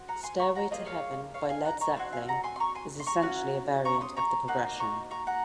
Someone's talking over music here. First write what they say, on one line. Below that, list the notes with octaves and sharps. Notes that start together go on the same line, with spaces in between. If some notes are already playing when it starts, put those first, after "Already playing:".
"Stairway to Heaven" by Led Zeppelin is essentially a variant of the progression.
Already playing: C4 F#4
F#5 A#5
G#5 C6
A#5 C#6
F#5 A#5
A#3 F4 G#4 C5 D#5
C#5 F5
C#5 F5
F5 G#5
F#5 A#5
A#5 C#6
C4 F#4 G#5 C6
F5 G#5
F#5 A#5
G#5 C6
C6
A#5 C#6
G#5 C6
C6
A#5 C#6
C#4 F#4
A#5 C#6
C6 D#6
A#5 C#6
A#3 D#4 F#4
A#5 C#6
A#5 C#6
F#5 A#5